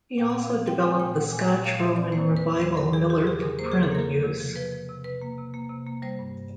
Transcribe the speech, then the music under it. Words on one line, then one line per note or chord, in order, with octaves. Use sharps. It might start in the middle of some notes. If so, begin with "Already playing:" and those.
He also developed the Scotch Roman revival Miller for print use.
A#2 G5
C4 F#5
F5
F3
C4 G5
G#3 G#5
A#2 G5
F3 F#5
A#2 G#5
G#3 G5
A#2 F5
A#2 E5
C4 D5
A#3 C5
E2
B4
E2
F#3 C5
F#3 A#4
E2 G#4
C#3 G4
F#3 G#4
E2 A#4
A#3 C5
C#3 G#4
A4
A#3 A#4
F3
C3
F3
F3 B4
F3
C3
C3 B4
A#3
C3
A#3
C3
A#3
G3 C5
G2